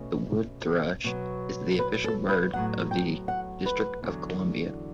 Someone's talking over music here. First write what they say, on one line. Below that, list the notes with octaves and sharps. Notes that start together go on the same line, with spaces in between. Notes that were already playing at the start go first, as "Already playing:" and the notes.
The wood thrush is the official bird of the District of Columbia.
Already playing: B2 A3 C#4
B2 F#3 B3
B4
A4
B4
A2 F#3 B3 F#5
G5
F#5
B4
E2 D3 F#3